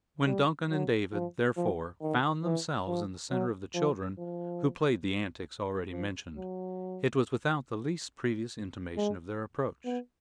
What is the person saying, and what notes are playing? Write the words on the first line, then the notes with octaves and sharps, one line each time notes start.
When Duncan and David, therefore, found themselves in the center of the children, who played the antics already mentioned, it was without the least previous intimation of their approach.
G3
F#3
F3
F3
D#3
E3
F3
F#3
F3
F3
F3
F#3
G#3
B3